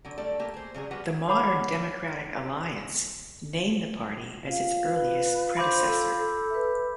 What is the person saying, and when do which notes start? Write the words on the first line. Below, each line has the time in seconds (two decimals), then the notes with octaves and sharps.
The modern Democratic Alliance name the party as its earliest predecessor.
0.05 D3 F#3
0.18 G3 A3 A4 D5
0.39 A3 A#3 G4
0.54 G#4 C5
0.74 C#3 F#3 G3 G#4
0.91 F3 G3 F#4 B4 F#5
1.28 C#5 F#5 B5 D6
4.47 F4 F5
4.91 B4
5.57 C5 B5 D6 G6
5.87 A4
6.19 A4
6.50 B4 E5